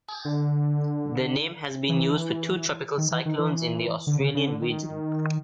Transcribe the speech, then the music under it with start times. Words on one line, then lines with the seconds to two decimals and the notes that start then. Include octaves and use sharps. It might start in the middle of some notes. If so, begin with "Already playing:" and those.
The name has been used for two tropical cyclones in the Australian region.
0.25 D3
1.89 E3
2.98 D#3
3.11 E3
3.26 D#3
3.39 E3
4.07 D3
4.20 C#3
4.35 C#3
4.47 D3
4.62 D#3